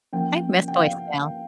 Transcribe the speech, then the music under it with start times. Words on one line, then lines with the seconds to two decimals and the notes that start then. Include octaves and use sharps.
I miss voicemail.
0.13 F3 A#3 C#4 G5
0.68 G5
0.75 F5